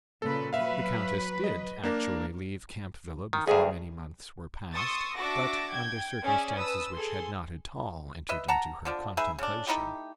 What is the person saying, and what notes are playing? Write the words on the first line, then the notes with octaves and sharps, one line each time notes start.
The Countess did actually leave Camp Villa before many months were past, but under circumstances which had not at all entered into her contemplation.
A#2 C#3 A4 B4
F#3 B4 E5 F5
D#5
A#3 D4 A#4
D#3
D2 G2 G#4
C6 C#6 D#6 E6 A6
D4 F#4 E5 A5 D6 A#6
G5 G#6
C#4 G#4 D5 E5
B4 A5 D#6 E6
G#4 A4 C6
B4 D#5 E5
F#5 A5 A#5
D3 F3 D4
D#4 G#4 B4 E5
C#3 D4
A3 D#4 E4 G4